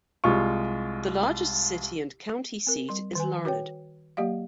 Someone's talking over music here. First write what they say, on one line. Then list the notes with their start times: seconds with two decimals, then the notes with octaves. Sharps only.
The largest city and county seat is Larned.
0.24 C2 G#3 F4 C#6
2.67 C4 A#4
2.89 G3 C6
3.15 D#3 B4 G#5
3.45 F#4 B4 C#5 G5
4.17 F#3 A#3 G4 D#5 F5